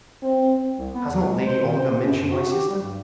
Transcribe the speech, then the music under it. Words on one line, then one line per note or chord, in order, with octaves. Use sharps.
Has not Lady Ongar mentioned my sister?
C4
C2
B3
E2
G#3
C5
D#3
C5
F#2
F#4
G4
G3
G2